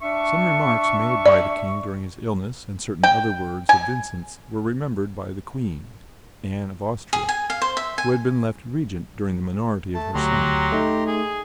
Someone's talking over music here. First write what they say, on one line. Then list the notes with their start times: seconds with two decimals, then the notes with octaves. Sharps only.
Some remarks made by the King during his illness and certain other words of Vincent's were remembered by the Queen, Anne of Austria, who had been left Regent during the minority of her son.
0.02 D4 E5 C#6
1.26 D5
3.03 G5
3.69 G#5
7.13 G#4
7.29 G#5
7.50 F5
7.62 C5
7.77 E5
7.98 G#5
9.95 A3 A5
10.15 D2 F#3 G4 A#5 C6
10.72 A3 D#4
11.07 G#4